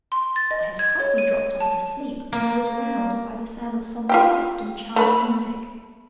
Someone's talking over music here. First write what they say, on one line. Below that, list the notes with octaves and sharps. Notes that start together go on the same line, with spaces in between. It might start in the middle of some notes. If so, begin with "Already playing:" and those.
I had hardly dropped off to sleep when I was roused by the sound of some soft and charming music.
C6
A6
D#5
G#6
C#5
D#7
A5
A#3
F4 G4 G5
A3 B4 B5